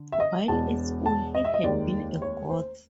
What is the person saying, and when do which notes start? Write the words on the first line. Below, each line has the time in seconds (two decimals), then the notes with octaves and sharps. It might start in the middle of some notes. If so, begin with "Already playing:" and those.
While at school, he had been a Goth.
Already playing: D3
0.12 E5
0.20 D#5
0.48 E1 E2 B2 A5
1.06 A5
1.35 D#5
1.45 E5
1.54 D#5
1.64 F1 D#2 D#3 G#3 D5
2.22 C#5
2.50 C5